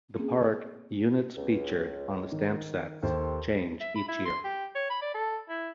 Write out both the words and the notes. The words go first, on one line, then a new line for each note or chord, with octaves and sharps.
The Park units featured on the stamp sets change each year.
A#3 C4 C#4 G#4
C#2
D#3
D#2 G4 A4 C5
E5
B5
E4
C6
G4
C#5
B5
D5
A4
E4